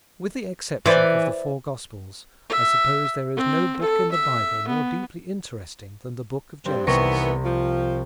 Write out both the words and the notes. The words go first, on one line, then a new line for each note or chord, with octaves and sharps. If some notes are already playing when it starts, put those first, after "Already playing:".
With the exception of the four gospels, I suppose there is no book in the Bible more deeply interesting than the Book of Genesis.
E3 B4 C5 D5
E5
C4
A4
E5
B3
G2 C4
C2 D#3 E3 B3 C#6 A#6
F3